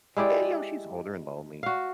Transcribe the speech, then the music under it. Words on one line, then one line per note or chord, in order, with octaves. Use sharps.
And, you know, she's older and lonely.
G#3 E4 G4 D5
F#4 F5